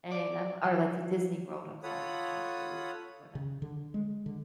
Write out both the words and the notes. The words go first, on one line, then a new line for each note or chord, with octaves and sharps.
and I'm li or, like, to Disney World, I'm sorry. Not Flori Florida.
D5
F3
F4 A4 C#5 F#5 B5 D#6
C#3
D3
G#3
D3